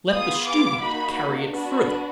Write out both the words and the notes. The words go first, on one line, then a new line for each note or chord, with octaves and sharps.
Let the student carry it further.
B3 F4 G#4 D#6
D6
A#3 D#4 F#4 B5
B3 D4 F#4